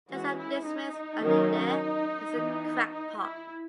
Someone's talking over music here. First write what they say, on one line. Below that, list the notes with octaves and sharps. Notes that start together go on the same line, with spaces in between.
Jessup dismissed Allende as a crackpot.
E3 G#3 C#4 F#4
E4
D#4
D#3 F#3 C#4
E3 B3
D#4
E4